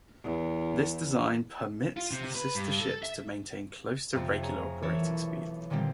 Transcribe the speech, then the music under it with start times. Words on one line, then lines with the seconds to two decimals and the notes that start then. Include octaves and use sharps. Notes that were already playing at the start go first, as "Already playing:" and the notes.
This design permits the sister ships to maintain close to regular operating speed.
0.23 E2
1.97 F4
2.11 C3
2.35 B4
2.55 G2
2.80 A4
3.03 E5
4.15 F2 C3 A3 C4
4.42 G#4 C#5 A#5
4.82 E3 A4 A#4 C#5
5.02 B1
5.70 A#2 D3 D#3 G3 C4